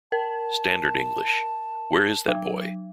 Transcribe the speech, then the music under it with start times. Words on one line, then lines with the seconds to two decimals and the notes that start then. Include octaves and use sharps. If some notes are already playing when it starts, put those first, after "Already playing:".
Standard English: Where is that boy?
0.12 A#4 A5
2.28 F#3